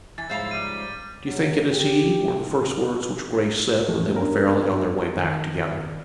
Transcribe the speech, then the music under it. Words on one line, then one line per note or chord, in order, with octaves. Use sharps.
"Do you think it is he?" were the first words which Grace said when they were fairly on their way back together.
E3 A6
G#2 C#3 F3 E4 C5 F5 A#5 A6
G3 D#7
F#3
G4
F2 E3 A3 G4
B3 C#4 D4 A#4
D#3